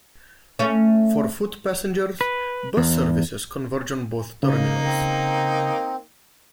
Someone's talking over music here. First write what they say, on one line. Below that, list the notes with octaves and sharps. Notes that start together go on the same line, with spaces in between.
For foot passengers, bus services converge on both terminals.
A3 C#4
B4
E2
C#3 A#3 D#4
C4